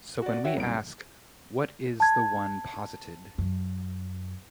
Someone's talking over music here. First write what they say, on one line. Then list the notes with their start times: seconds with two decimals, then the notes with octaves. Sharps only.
So when we ask, What is the one posited?
0.22 F#4 D5
0.45 F#4 C#5 E5 G5
0.56 F#1 C2 C#3 D7
2.00 A5 G#6
3.38 F#2